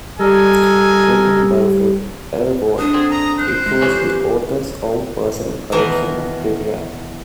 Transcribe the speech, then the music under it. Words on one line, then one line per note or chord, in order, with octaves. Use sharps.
Written by Fred L. Worth, it was the author's own personal collection of trivia.
G3 A4 A#4 D#5 G#5
D4 D#6
D3 C4 G#4
A#5 D#6
C5 F#6
G#3
F2 E3 C#4 G4
B2 D#3 E3 A#4